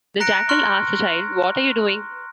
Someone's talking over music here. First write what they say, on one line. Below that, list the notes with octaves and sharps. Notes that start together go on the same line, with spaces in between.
The jackal asked the child: What are you doing?
A#5 F#6 A#6 C#7 D7
C6 C#6 F6 F#6